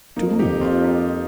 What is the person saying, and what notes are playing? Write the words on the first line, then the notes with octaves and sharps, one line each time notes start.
"To whom?"
F2 A#3 D#4
D#4 G4
C4 F4
D#4 G4